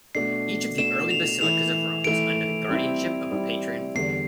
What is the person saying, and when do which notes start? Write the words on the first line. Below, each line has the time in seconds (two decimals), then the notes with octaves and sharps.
Each of the early basilicas of Rome was under the guardianship of a patron.
0.15 B2 A3 D4 C7
0.78 B2 A3 D4 E7
1.10 F7
1.41 E3 A3 E4 F7
2.04 E3 A3 E4 D7
2.69 G3 C4 E4
3.32 G3 C4 E4
3.95 E2 D3 G3 C7